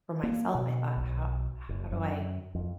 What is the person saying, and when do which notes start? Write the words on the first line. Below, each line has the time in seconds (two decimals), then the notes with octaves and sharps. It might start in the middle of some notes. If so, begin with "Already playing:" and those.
for myself, I thought, "How how do I
0.23 A#3
0.55 B2
0.97 B1
1.69 F#1
1.92 F#2
2.55 F2